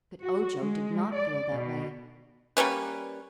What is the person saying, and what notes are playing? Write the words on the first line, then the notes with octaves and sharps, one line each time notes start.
But Ojo did not feel that way.
F#4
G#3
D5
B2
G3 A#3 C#4 B4